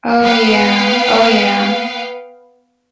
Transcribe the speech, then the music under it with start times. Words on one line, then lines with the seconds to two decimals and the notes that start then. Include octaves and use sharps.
Oh, yeah oh, yeah.
0.20 B3 B4 F5 G5